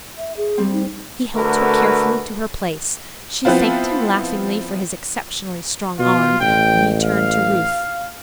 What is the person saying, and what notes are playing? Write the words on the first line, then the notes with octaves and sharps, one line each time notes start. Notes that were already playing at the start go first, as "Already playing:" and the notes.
He helped her carefully to her place; she thanked him laughingly for his exceptionally strong arm, and he turned to Ruth.
E5
G#4
G3 C4
D#4
D3 A3 F#4 A#4 B4
F3 B3 C4 E4 F4
B2 F4
A1 G5
F5